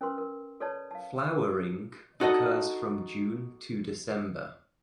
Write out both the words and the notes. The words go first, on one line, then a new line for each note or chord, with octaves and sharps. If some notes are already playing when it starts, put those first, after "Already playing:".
Flowering occurs from June to December.
C#4 A#4 B4 C6
A#4
A4 B4 C#5 D5 A5
F5 A5
D#4 F#4 A4 D#5